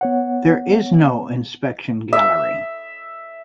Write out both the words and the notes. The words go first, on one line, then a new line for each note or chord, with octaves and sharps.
There is no inspection gallery.
B3 C#5 F#5
E5